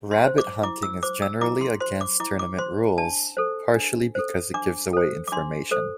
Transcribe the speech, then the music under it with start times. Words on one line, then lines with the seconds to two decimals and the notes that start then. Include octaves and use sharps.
Rabbit hunting is generally against tournament rules, partially because it gives away information.
0.11 C6
0.24 C5
0.38 D6
0.63 E4 D6
0.83 E6
1.03 C5 D6
1.22 E6
1.41 E4 D6
1.61 C6
1.80 C5 C6
2.01 D6
2.20 E4 D6
2.39 D6
2.59 C5 C6
2.98 D4 A5
3.37 A4 C5
3.76 D4
4.15 A4 C5
4.54 D4 D6
4.93 A4 C5
5.28 D6
5.32 D4 C6
5.71 A4 C5